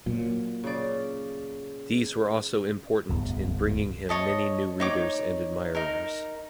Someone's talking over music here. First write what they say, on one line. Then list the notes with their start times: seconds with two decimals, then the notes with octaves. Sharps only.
These were also important in bringing him many new readers and admirers.
0.06 A#2 F#3
0.64 C#3 D5
3.09 D1 C2 G2 B3
4.09 C#5 D#5 A5
4.80 D#4 C#5 D6
5.75 D#4 A#4